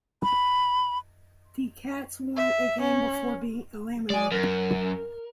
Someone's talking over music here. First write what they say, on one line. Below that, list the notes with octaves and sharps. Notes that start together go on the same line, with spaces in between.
The "Cats" won a game before being eliminated.
B5
E5
C#4
G#3 D5 G#5
F#2 A#4